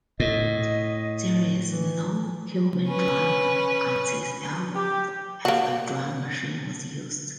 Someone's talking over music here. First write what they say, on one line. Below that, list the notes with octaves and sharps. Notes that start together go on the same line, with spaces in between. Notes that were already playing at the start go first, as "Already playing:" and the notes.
There is no human drummer on this album, as a drum machine was used.
A2 D#5
E3
C#4 B4
G4
A#3 F#4